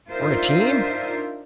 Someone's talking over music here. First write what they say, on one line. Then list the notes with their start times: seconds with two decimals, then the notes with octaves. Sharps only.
'Or a team?'
0.10 D4 D#4 F4 A#4 C5 E5